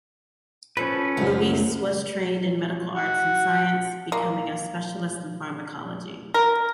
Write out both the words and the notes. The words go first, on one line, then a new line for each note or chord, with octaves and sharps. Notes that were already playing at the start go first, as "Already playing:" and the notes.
Louis was trained in medical arts and science, becoming a specialist in pharmacology.
F3 C#4 A4 B4
C#2 F#2 F3
F#4
A#3
A#4